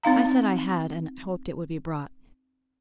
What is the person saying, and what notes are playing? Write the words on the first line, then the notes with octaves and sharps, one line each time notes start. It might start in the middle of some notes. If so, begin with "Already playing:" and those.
I said I had, and hoped it would be brought.
C4 D#4 F5 A#5